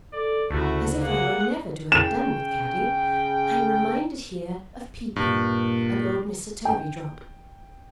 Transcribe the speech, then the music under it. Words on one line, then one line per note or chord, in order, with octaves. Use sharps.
As if I were never to have done with Caddy, I am reminded here of Peepy and old Mr. Turveydrop.
A4 D5
D2 C#3 A3 E4 F#4
A#3 G#4 F#5
C#3 G5 E7
G2 A#2
G5